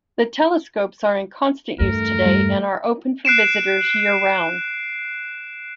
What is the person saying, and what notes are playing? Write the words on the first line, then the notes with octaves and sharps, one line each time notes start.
The telescopes are in constant use today and are open for visitors year round.
E2 G2 A3 A#4
G3
F#6 C7 D7 E7